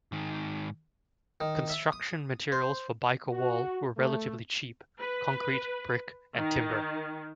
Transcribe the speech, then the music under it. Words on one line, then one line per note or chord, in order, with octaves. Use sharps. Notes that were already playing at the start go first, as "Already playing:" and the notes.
Construction materials for Byker Wall were relatively cheap, concrete, brick and timber.
G#2 D#3
D#3
E5
D#6
C5
F#4
A3
B4
D#3